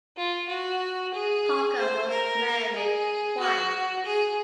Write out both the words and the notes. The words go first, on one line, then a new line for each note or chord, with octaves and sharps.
Parker was married twice.
F4
F#4
G#4
C5
A#4
G#4
F#4
G#4